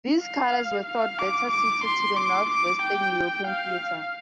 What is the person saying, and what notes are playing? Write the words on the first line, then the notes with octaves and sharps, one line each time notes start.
These colours were thought better suited to the North Western European theatre.
F5
F5
D6
D6
C6
D6
D6
G5
F5